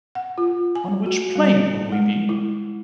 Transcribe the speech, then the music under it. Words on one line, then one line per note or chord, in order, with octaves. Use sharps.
On which plane will we be?
F#5
F4
G#5
F#4
G3
G#3
E4